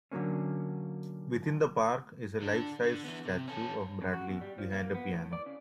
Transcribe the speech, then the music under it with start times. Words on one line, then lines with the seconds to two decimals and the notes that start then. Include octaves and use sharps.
Within the park is a life-size statue of Bradley behind a piano.
0.12 D3 F#3 A#3 C#4
2.41 D3 D4
2.84 D3
3.05 E3 B3
3.26 C3
3.48 C#4 A4
4.02 C#3
4.13 F#4
4.29 E2
4.41 G3
4.58 F3
4.73 A#3
4.94 B3
5.13 A2
5.33 D5
5.46 C#3